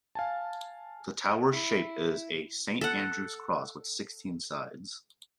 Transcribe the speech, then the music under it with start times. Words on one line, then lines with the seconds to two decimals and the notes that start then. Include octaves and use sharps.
The tower's shape is a Saint Andrew's Cross with sixteen sides.
0.15 F5 G#5 A5
1.53 E4
2.81 A4 F#5